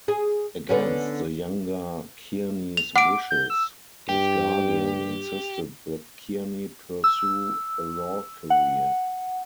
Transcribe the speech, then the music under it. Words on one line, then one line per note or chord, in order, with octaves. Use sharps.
Against the younger Kearny's wishes, his guardian insisted that Kearny pursue a law career.
G#4
D3 B3 C#4
F7
F#5 D6 D7
G6
E6
G2 G4
E6
F#5